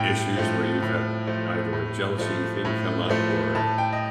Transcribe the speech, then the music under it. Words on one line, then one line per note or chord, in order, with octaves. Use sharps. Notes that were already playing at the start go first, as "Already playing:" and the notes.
issues, where you've had either a jealousy thing come up or,
Already playing: A2 G5
F3 A3
A2
F3 A3
A2
F3 A3
A2
F3 A3
A2 A5
G5
D#5